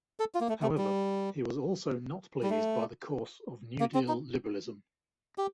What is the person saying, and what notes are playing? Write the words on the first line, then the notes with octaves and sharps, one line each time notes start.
However, he was also not pleased by the course of New Deal liberalism.
A4
F4
A#3
A3
A3
G3
G3
A3
A#3
C4
D#4
G4